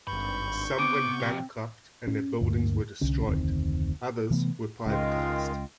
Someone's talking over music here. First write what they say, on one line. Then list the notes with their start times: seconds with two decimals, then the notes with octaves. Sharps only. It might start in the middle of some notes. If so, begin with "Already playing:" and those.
Some went bankrupt and their buildings were destroyed; others were privatized.
0.07 G#1 G2 B5 C#6 G6
0.79 C3 B3 D6
1.20 F3 C4 G4
2.07 C#4
2.41 D2 G2 A#3
3.01 C2 D3 C#4
3.27 F1 D2 D#3 C4
4.31 C3 E3 A3 B3
4.86 C#2 D#3 G#3 F4 D#5 G5